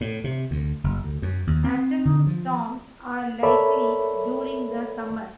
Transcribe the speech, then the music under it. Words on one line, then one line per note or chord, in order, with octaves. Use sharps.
Afternoon storms are likely during the summer.
A2
C3
D2
F#1
D2
F#2
D#2
C4
D3
F3
A4 A#4 C#5 D5 E5 B5